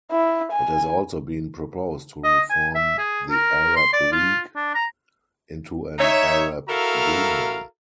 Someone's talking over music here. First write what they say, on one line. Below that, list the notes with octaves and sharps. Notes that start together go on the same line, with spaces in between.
It has also been proposed to reform the Arab League into an Arab Union.
E4
G#5
D#5
G#5
E5
G#4
A#4
C6
D5
F4
D4
A#5
D#4 C#5 E5
E4 F#4 A4 A#4 F5 A#5